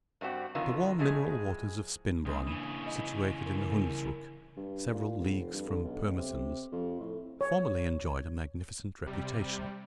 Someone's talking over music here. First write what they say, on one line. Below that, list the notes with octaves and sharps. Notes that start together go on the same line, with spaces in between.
The warm mineral waters of Spinbronn, situated in the Hundsrueck, several leagues from Pirmesens, formerly enjoyed a magnificent reputation.
G2 G3 C4 F#4
F2 D3 D#3 F4
A2 F3 G#3 G#4
C#2 A#3 D4 D#6
C#3 E3
D#5
A#4
G2
A#2
F1
G2
D3
B1
C3
F2
A2
C#5
C3 G3